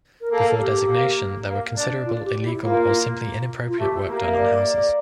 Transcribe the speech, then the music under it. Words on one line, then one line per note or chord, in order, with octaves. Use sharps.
Before designation there was considerable illegal or simply inappropriate work done on houses.
A#4
A#3 A4
A4
G4
A#3
A#3
D4
F4
G4
E4
A#3 F4
F4
A3 G4
A#3 G4
E5
D5